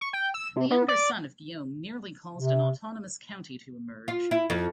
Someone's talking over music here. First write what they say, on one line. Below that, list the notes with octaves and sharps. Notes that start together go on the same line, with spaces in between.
The younger son of Guillaume nearly caused an autonomous county to emerge.
C#6
G5
E6
C3
B3
D5
C3
F4
E4
F2